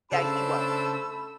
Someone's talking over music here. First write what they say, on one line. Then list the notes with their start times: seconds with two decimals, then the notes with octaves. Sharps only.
Yeah, he wa
0.12 C#3 A3 D4 A4 C5 B5 E6